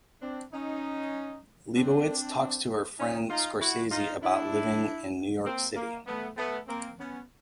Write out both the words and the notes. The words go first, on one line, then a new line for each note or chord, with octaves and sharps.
Lebowitz talks to her friend Scorsese about living in New York City.
C4 D4
C#4 D#4
C4 D4
C#4 D#4
D#4 F4
E4 F#4
D#4 F4
D4 E4
A#3 C4
A#3
A3 B3
A3 B3
A#3 C4
B3 C#4